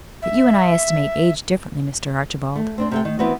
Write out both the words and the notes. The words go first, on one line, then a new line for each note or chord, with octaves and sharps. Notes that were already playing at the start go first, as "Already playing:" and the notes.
But you and I estimate age differently, Mr. Archibald.
E5
A3
C4 D4 C5
C3 A3 G5
D#3
E3 B3 C4 F#4